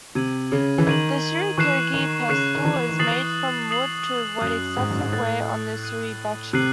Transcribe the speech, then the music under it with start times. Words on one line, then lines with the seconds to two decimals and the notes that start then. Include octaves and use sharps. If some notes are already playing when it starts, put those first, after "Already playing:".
The "surikogi" pestle is made from wood to avoid excessive wear on the "suribachi".
0.15 C3 G#6 D#7 F#7
0.52 C#3
0.78 E3
0.87 D#3 G#6 D#7 F#7
1.58 E3 C#6 F#6 C7 E7
1.94 D#3
2.29 C#3 C#6 F#6 C7 E7
2.55 D#3
2.65 E3
2.89 D#3
2.99 E3 D#6 A6 C7 F#7
3.71 D#6 A6 C7 F#7
4.41 F#2 D#6 F#6 A6
4.77 G#2
4.91 F#2
5.01 G#2
5.12 A2 D#6 F#6 A6
5.83 F#6 C7 D#7 F#7
6.53 C3 F#6 C7 D#7 F#7